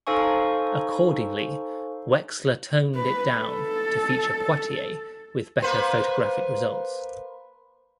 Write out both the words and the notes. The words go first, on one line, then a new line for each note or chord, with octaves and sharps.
Accordingly, Wexler toned it down to feature Poitier with better photographic results.
D#4 A4 C5 F5 G#5 C#6
B4
A4
A#3 B4 C5